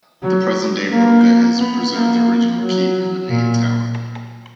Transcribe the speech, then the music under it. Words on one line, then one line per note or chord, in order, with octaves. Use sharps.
The present-day Rocca has preserved the original keep and the main tower.
F#3
A#3
B3
A#3
F#3
A#2